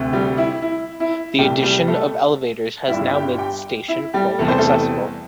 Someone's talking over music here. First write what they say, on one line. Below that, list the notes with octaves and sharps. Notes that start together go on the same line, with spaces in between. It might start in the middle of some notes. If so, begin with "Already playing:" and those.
The addition of elevators has now made the station fully accessible.
Already playing: D2 C3
G3 G4
E4
E4
E4
C2 C3 G3 A3 G4
G3 G4
A3 A4
G1 G2 G3 E4 E5
G4 G5
G4 G5
E4
G3 G4
E2 C3 G3 A4
C5
A3 A4